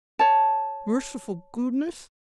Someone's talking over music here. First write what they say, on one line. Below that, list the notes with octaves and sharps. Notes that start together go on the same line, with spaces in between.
"Merciful goodness!"
C#5 A5